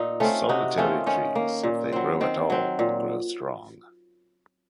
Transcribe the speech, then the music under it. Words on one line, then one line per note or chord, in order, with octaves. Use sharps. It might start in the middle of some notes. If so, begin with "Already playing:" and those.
Solitary trees, if they grow at all, grow strong.
Already playing: A#2 D#4
A3 C4 C#4 F4
C3 D#4 F#4
D#3 A3 C4 C#4 F4
D#3 C#4
A#3
A#2
F#3 C4
D#3 C4
F#3 C4
A#2